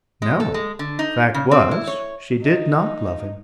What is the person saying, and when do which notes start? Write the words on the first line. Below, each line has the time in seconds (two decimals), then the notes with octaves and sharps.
No, the fact was, she did not love him.
0.22 G#3
0.40 A4
0.54 G#3
0.79 D3
0.99 D#4
1.34 C#3
1.51 C4
1.71 E4
1.87 C#5
2.43 D#4